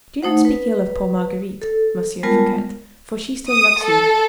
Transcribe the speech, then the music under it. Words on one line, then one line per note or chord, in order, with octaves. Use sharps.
"Do not speak ill of poor Marguerite, Monsieur Fouquet, for she still loves you."
A3 D#4 C5 F#5
B4
A4
G3 G#3 B3 F4 A#4 A5
D#6
A4